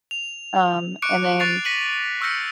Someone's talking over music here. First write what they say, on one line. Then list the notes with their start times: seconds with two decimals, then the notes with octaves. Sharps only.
Um, and then,
0.11 F7
1.02 C#6 D6 F#6 C#7 D7
1.40 C#6 F#6 A6 C7 C#7 F7
1.65 A#6 B6 C#7 D#7 F#7
2.21 C#6 E6 F6 G6 A#6 C#7